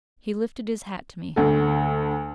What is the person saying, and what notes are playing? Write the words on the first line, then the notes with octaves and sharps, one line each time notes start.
He lifted his hat to me.
D2 A4